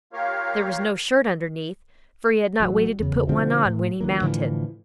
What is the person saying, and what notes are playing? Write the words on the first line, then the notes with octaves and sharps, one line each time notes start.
There was no shirt underneath, for he had not waited to put one on when he mounted.
A#3 F4 G4 A#4 C#5 F5
A1 F#3
E2 C#3
B2 D3 F3 C4
A2
D2 E3 A#3
A2 D3 E3 F3